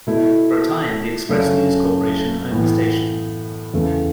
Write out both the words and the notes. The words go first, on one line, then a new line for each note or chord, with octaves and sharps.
For a time the Express News Corporation owned the station.
B2 A3 E4
F#2 C#3 A3 C#4
A2 E3 B3
E2 C#3 A3